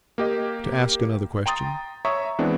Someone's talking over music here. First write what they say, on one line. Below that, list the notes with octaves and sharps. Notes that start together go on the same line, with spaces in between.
To ask another question.'
A#3 G4 D#5
G5 A#5 C6 D#6 A6
C#5 E5 A#5 C#6 D#6
E3 G#3 B3 C4 D4